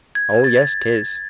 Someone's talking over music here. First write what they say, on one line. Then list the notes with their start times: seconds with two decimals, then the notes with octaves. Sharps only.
Oh yes, 'tis.
0.15 G#6
0.44 A6